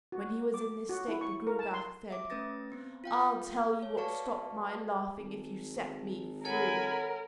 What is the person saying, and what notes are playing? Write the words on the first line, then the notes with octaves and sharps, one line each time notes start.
When he was in this state the Gruagach said: "I'll tell you what stopped my laughing if you set me free."
F#4
D6
F#4
E4
C#6
A#4
A5
C6
E5 D6
A3 C#4 B4 A6 A#6
B3 C4
F4 F5 G5
A4 C#5
F#4 B4 D5 F5 A5 C#6
G#1
A4 A#4 C#5 F#5 G#5 B5